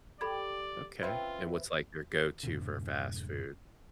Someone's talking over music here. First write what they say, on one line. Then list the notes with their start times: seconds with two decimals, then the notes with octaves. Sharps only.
Okay, and what's, like, your go-to for fast food?
0.21 G4 A4 D5 B5 G#6
1.03 C4 C#4 F4 B4 C5 E5
2.43 F2 G#2 B2 D3